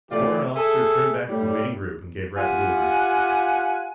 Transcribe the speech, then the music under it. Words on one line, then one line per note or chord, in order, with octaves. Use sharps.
The warrant officer turned back to the waiting group and gave rapid orders.
A2 E3 A3 F4 G4 D5
G#4 A4 E5
A2 G3
F4 G4 F#5 G#5